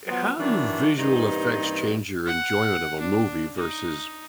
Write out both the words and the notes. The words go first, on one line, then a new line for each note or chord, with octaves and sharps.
How do visual effects change your enjoyment of a movie versus
F3 F#3 B3
D#3 E3 F#3 G3 D4
G2 C3 E3 A#3 D#4
F#5
D4
D#4